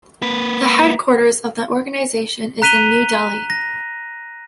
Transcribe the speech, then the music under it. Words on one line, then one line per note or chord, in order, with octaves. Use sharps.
The headquarters of the organisation is in New Delhi.
A#3 B4
A#5 F#6 B6 D#7 F7 G7
A#6